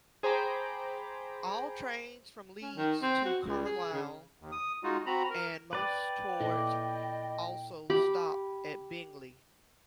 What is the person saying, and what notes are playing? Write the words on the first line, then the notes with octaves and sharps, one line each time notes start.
All trains from Leeds to Carlisle and most towards also stop at Bingley.
G#4 C5 G5 A#5 B5 D6
C#4
D#3
C4
F#4
C#2
G#4
C#3
D#2
D#6
G#3 D#4 F4 F#4
C4 F#4 A#5 B5
A#4
B4 D5 G5
A#2 E4 A4 D#5
G4 B5